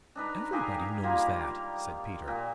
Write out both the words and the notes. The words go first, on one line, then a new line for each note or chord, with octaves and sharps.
"Everybody knows that!" said Peter.
D4 D#4 B4 A#5
F4 G4 G#4 A#4
G3 A#3 F4 A#4
A#2 A#4